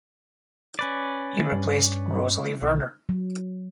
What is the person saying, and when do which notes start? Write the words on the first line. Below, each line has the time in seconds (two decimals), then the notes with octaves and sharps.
He replaced Rosalie Verner.
0.79 C#4 B4 D5
1.52 G2
2.62 B1
3.09 F#3